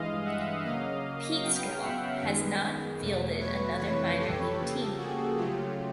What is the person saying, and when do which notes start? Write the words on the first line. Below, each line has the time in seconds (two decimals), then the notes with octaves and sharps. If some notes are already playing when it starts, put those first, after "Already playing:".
Peekskill has not fielded another minor league team.
Already playing: G2 E3 G#3 D#5 F5
0.25 E5 F#5
0.64 C#3 F#3 A#3 D#5 F5
1.42 C#3 F#3 B3 F5 G5
1.82 E5 F#5
2.21 F#2 D#3 G#3 B3
3.00 E2 B2 F#3 A3
3.39 B4 C#5
3.79 F2 C3 E3 A3 B4 C#5
4.18 G4 A4
4.58 C#3 F3 A#3
4.97 F#4 G#4
5.37 C#3 F#3 A3 F4 G4